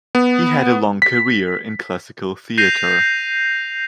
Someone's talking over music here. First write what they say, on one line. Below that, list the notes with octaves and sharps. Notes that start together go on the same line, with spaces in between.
He had a long career in classical theatre.
B3
B6
G6 A#6 C7 D#7 F7